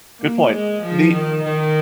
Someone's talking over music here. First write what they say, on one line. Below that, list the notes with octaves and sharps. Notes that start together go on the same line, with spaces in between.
good point. The
A#3
G#3
F3
D#3
D#3